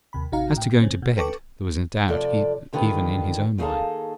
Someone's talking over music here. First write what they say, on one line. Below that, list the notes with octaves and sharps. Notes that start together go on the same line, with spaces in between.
As to going to bed, there was a doubt even in his own mind.
D#2 C3 B5
A1 C3 D#4 F#4 F5 A#5
A2 G5
C#3 C4 C#4
B2
A4 B4 G5 A5 C#6 D6
F2 C3 F3 A4 D5
F2 D3 D#3 G4 B4
D#2 D#4 G#4 A4 F5 A5